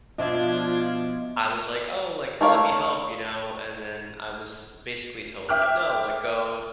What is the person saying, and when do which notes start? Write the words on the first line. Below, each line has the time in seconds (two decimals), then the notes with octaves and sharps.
I was like, "Oh," like, "let me help." You know? And then I was basically told, like, "No," like, "Go
0.18 B2 F3 D4 F4 D#5 E5 G#6
2.41 A3 E4 A#4 C#5 F5
5.49 E5 G5 D6 F6 F#6